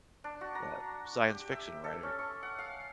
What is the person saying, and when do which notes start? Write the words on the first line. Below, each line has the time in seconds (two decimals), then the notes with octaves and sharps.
the science fiction writer,
0.24 D4
0.41 F#4
0.55 A#5
1.29 G4
1.52 E5
1.84 A4
2.03 C#4
2.19 C#6
2.43 F#5
2.59 F5